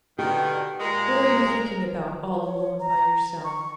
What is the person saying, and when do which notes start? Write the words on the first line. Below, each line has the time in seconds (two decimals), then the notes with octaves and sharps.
What are you thinking about all alone by yourself?
0.19 B2 D3 D#3 G4
0.80 A#2 G#3 A#4
2.44 C#5
2.80 A#5
3.44 C#6